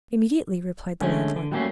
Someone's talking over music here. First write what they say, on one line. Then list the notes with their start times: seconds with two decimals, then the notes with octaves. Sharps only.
"Immediately," replied the landlord.
1.01 D3 G#3 A3 C#4
1.36 D3
1.52 F#3 G3 A3 A#3 C#4